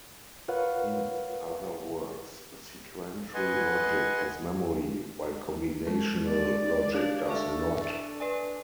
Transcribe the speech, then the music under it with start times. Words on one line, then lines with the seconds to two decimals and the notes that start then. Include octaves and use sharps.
In other words, sequential logic has "memory" while combinational logic does not.
0.48 F4 A#4 B4 C#5 F5 F#5
3.34 B4 D#5 F#5 G#5 C6
5.87 G#3
6.27 D5
6.94 D4 G4 C#5 F5
7.27 A4 E5 A5 C#6
8.20 B4 D5 G#5